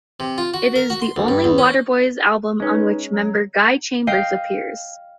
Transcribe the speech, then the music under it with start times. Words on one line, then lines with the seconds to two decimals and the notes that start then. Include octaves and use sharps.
It is the only Waterboys album on which member Guy Chambers appears.
0.20 C3
0.38 F4
0.54 F#4
0.76 A#4
0.90 F#4
1.02 C6
1.16 D2
1.28 G2
1.44 E2
1.58 C#4
2.60 G#3 C#4 D#4 B4
3.09 F#3
4.07 D#5 F5 G5 C7